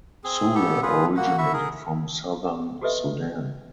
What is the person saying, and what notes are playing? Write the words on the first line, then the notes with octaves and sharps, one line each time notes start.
Sule originated from southern Sudan.
C4 G#4
B3 G4 A4
F4 G#4 B4
A#3 F#4 F#5
E4 F#4 E5 C#6
G#4 A#4
F#4 G4 A4 B4 D#5 E5